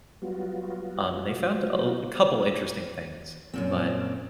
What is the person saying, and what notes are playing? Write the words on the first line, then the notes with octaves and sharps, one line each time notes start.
um, and they found a l couple interesting things, but
F#3 G3 B3 F4 F#4
F#2 A#2 C4